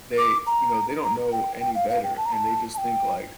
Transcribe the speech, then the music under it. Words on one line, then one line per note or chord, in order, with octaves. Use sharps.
they, you know, they don't know any better, and they just think, like,
D6
A#5
A#5
G5
G5
F5
F5
G5
A5
A#5
A5
A5
G5